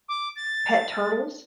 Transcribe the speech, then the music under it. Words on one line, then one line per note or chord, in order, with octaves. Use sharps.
pet turtles
D6
A6